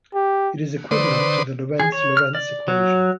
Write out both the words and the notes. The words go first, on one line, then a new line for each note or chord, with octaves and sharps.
It is equivalent to the Lorentz-Lorenz equation.
G4
D3 B4 C5 D5 C6 D#6
G#4
C#5
F6
D5
F#3